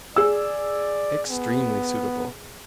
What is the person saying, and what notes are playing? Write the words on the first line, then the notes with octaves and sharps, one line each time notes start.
Extremely suitable.
G#4 D5 E6
B3